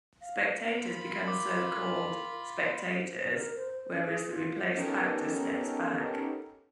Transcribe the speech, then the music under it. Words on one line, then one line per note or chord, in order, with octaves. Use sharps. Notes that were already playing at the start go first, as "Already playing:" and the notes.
Spectators become so called "spect-actors", whereas the replaced actor steps back.
F5
F4 A#4 B5
D6
C5
A#4
C5
C#4
G#4
F4
B3 C#4 D#4 G4 A4 A#4